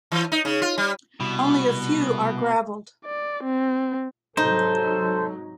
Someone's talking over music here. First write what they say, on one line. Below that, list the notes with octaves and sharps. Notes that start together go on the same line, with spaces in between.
Only a few are graveled.
E3
D#4
C#3
F4
G3
C2 B2
D5
C4
G#2 C3 F#3 D#4 A4 C5